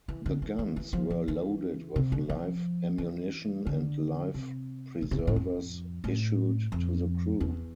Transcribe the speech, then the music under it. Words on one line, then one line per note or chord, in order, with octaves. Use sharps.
The guns were loaded with live ammunition and life preservers issued to the crew.
E3
D3
E3
E3
E3
F3
F3
E3
C3
D3
F3
E3
D3
C3
B2
C3
B2
A2
F2
A2
F2
E2